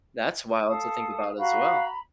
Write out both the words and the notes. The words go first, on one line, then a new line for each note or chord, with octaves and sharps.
That's wild to think about as well.
A4 F5 D#6
F#4 F5 A#5 B5